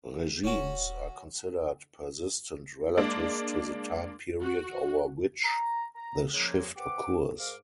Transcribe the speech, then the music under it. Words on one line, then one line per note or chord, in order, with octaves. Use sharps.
Regimes are considered persistent relative to the time period over which the shift occurs.
D#1 C#4 F#4
G#3 A#3 D4
F#4
A#5
A#5
C#3 F3 G#3 A#3
C3 G4 B4 F#5 D6
G#2 A#4 F5 D6